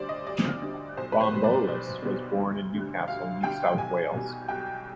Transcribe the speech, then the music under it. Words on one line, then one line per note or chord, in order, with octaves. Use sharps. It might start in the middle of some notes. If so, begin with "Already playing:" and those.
Bombolas was born in Newcastle, New South Wales.
Already playing: D2 D3 G3 C5 D5
D#5
D2 D5
D3 G3
B1 C5
B4
C5
B2 G3
D5
B1
B2 G3
D2
D3 G3
D2 F5
D3 G3 G5
G5
B1 G#5
B2 G3
B1 G5